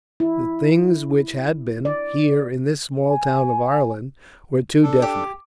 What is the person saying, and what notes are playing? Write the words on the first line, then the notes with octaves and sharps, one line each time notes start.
The things which had been, here, in this small town of Ireland, were too definite.
E4
D5
G#5
D4 A4
G4